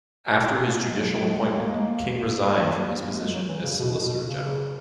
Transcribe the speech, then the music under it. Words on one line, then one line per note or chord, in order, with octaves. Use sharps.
After his judicial appointment, King resigned from his position as Solicitor General.
A#3
G#3
F#3
G#3
F#3
G#3
G#3
A#3
G#3
A#3
A#3
E3
F#3
A#3
G#3
F#3
E3
C#3
B2
B2
C#3